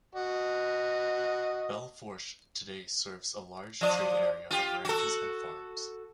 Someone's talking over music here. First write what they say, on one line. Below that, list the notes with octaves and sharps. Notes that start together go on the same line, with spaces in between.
Belle Fourche today serves a large trade area of ranches and farms.
F#4 D#5
F3 D5
F4 G4
F#4 A4